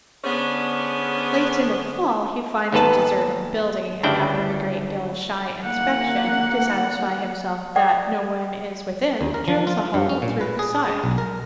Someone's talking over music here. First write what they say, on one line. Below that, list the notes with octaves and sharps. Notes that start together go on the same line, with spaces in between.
Late in the fall he finds a deserted building, and after a great deal of shy inspection, to satisfy himself that no one is within, drills a hole through the side.
D3 B3 C#4 G#4 C5 D5
D#2 G#2 B3 A4 B4 A5
D2 G2 C#3 D4 E4 G5
A#3 F#5
D5 F#5 G5 D6 D#6
D#2
A#4
F3
F4
G2
C#4
A#2
B4
G#4
G#3
B1
A#4